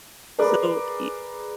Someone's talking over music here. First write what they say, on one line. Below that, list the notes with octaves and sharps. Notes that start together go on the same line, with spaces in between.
So, y
G#4 A#4 B4 D5 D6